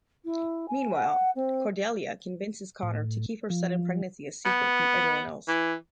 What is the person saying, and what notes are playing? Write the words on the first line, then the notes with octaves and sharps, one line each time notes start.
Meanwhile, Cordelia convinces Connor to keep her sudden pregnancy a secret from everyone else.
E4
G#5
F#5
C4
A2
F3
B3
E3